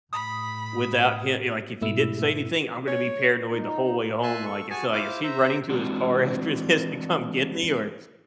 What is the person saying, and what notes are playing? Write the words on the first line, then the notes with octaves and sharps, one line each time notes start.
without him you know, like if he didn't say anything, I'm gonna be paranoid the whole way home, like it's like, is he running to his car after this to come get me, or,
A2 B5 D#6
G#2 B2 A3 E4 E6
C#5
D#4
E5 G#5 A5 C6 F#6
A4 C#6
F#4 G#4 G#5 A5 C#6
E4 F4 C5 F5 D6
C5 E5 A#5
E3 G#3 C4 D4 F4 F#4